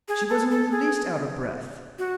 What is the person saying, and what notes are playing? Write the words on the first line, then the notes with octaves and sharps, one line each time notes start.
She wasn't in the least out of breath.
G#4
A4
A4
G#4
F#4